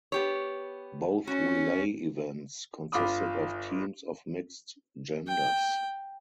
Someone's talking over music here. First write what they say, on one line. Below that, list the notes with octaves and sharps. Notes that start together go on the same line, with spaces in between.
Both relay events consisted of teams of mixed genders.
B3 G4 C#5
C#4 F#4
G1 F4 B5 D6 D#6
G5